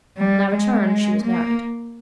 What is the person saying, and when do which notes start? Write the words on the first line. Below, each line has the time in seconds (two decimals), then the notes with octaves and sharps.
When I returned she was married.
0.18 G3
0.53 G#3
1.23 A#3